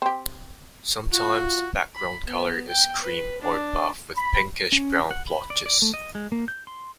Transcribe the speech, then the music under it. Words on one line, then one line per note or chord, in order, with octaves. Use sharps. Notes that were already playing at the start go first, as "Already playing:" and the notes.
Sometimes the background colour is cream or buff with pinkish-brown blotches.
C4 G4
F4 F#4
B5
B3
G5
B4
D4
B5
C#4
F#5
B5
D5
D5
A3
D#5
G#3
A#3
G6
C6